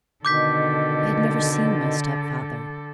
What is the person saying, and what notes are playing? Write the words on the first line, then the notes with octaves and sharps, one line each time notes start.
I had never seen my stepfather.
B2 D3 D#3 A4 D6 G6 B6